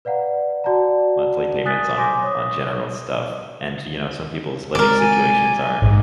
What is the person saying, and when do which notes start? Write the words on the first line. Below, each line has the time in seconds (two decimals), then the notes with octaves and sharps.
monthly payments on on general stuff, and, you know, some people's living situations aren't
0.05 B4 D5 F5 F#5 A#5
0.64 F#4 D5 F#5 A5 A#5
1.65 G#5 D#6 F#6 A6 B6
1.97 C5 G#5 C6 D6 G6 A#6
2.22 C#5 D#6
4.75 G#3 C4 A#4 D5
4.98 G#5
5.82 A#1 G#2